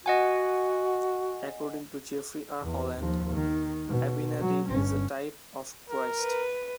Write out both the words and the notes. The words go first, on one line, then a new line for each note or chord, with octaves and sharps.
According to Jeffrey R. Holland, Abinadi is a type of Christ.
F#4 D#5 F#5 G#5
E2
D#2 F3
D#3
B2
F#3
G1 C#4
A#4
B4